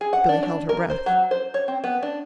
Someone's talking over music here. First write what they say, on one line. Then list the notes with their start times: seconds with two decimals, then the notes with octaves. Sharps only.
Billy held her breath.
0.01 G#4
0.13 F#5
0.29 D4
0.43 D4
0.69 A#4
0.90 C5
1.06 F#3
1.31 C5
1.54 C#5
1.68 C4
1.84 B3
2.03 D4